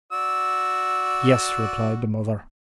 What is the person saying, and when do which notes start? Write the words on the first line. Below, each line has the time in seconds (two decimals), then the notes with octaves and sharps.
"Yes," replied the mother.
0.12 F#4 D5 E6